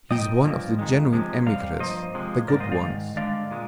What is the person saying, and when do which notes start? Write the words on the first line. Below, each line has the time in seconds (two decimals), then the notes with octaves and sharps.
He is one of the genuine emigres, the good ones.
0.11 A#2 G#3 D#5 G5
0.45 G2 F3 A#3
0.79 F2 D#3 G#3
1.13 C3 F3 G#3
1.46 C3 G3 F5
1.80 G2 F3 A#3 C5 D#5
2.14 C3 F3 G#3
2.48 G#2 G3 A#3 A#4 D5
2.60 C5 D#5
2.72 D5 F5
2.82 G#2 D#3
3.16 G2 D3 G#3 D5 F5
3.51 A#2 G#3